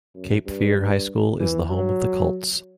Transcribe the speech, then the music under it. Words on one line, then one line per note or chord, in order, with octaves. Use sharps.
Cape Fear High School is the home of the Colts.
F#2
G2
E3
F#3